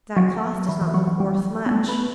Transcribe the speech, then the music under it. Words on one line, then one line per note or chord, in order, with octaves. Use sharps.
'That cloth does not look worth much!'
F#3
E3
E3
F#3
F#3
G3
B3
A3
B3